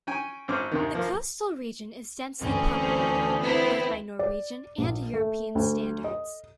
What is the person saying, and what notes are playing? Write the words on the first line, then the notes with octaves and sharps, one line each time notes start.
The coastal region is densely populated both by Norwegian and European standards.
C#4 G5 G#5
G#1 C4 C#4 D6 F6
D#2 C3 D#3
F3 A#3
D2 E3 C4 C#4
B3 C4 E4
D5
A#1
A3
D2
D#5